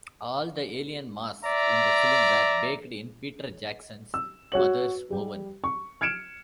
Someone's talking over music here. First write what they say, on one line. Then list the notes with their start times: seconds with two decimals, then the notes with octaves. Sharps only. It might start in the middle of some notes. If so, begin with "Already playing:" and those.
All the alien masks in the film were baked in Peter Jackson's mother's oven.
1.43 D5 E5 A#5
4.14 E6
4.52 F#4 C#5 F#7
5.10 G3 G4
5.64 C#6
6.01 F6 G#6 C#7 D7 E7